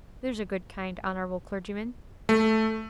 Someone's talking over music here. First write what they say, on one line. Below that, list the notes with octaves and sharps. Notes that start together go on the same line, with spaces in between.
There's a good, kind, honourable clergyman.'
A3